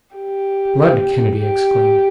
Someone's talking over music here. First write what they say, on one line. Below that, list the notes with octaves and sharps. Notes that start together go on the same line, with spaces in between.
"Blood!" Kennedy exclaimed.
G4
G4